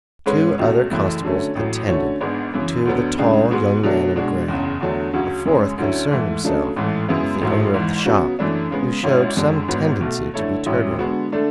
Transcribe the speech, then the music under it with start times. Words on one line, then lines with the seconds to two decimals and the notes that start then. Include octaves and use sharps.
Two other constables attended to the tall young man in grey; a fourth concerned himself with the owner of the shop, who showed some tendency to be turbulent.
0.26 G#2 G#3 C#4 G#4 B4
0.58 C#2 B2 F#3 A3
0.91 F#1 F#2 E3 A3 E4
1.23 D3 F#3 A3 C#4
1.55 A1 A2 F#3
1.88 D3 A3 C#4 F#4 C#5
2.21 G#1 G#2 G#3 B3 D4
2.54 F#2 C#3 E3
2.85 D2 D3 F#3 B3
3.18 C#2 C#3 G#3 D4
3.51 G#2 G#3 B3 F#4
3.83 B2 F#3 A3 D4
4.16 B2 G#3 D4 F#4
4.48 F#1 E2 C#3
4.81 E2 D3 F#3 A3 D4
5.13 D2 C#3 F#3 C#4 F#4
5.46 F#2 C#3 G#3 C#4
5.78 D2 D3 F#3 C#4 E4
6.11 G#2 E3 A3 E4
6.44 C#3 F#3 A3 D4 A4
6.76 A1 G#2 E3 A3
7.08 F#2 C#3 G#3 B3 E4
7.41 A1 G#2 F#3 A3 E4
7.74 G#1 G#2 E3
8.06 C#3 F#3 B3 F#4
8.39 F#2 E3 A3 D4
8.71 C#3 G#3 B3
9.03 G#1 G#2 F#3 C#4 E4
9.36 F#1 F#2 D3 G#3 D4
9.68 G#1 G#2 F#3 B3
10.01 B1 B2 A3
10.34 D3 A3 E4 A4 C#5
10.66 A1 G#2 F#3 C#4 E4
10.99 D3 G#3 B3 F#4
11.32 D3 A3 D4 A4